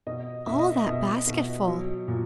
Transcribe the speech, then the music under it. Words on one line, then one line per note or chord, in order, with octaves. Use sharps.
"All that basketful!"
B2 D#5
B2 E5
D#5
E5
B2
B2
F#3
A#2